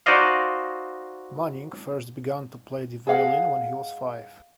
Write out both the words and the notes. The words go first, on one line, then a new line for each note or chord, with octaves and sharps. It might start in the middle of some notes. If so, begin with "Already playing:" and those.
Manning first began to play the violin when he was five.
D#4 F#4 C5 D5 D#5 F5
G#4 D#5 F5 F#5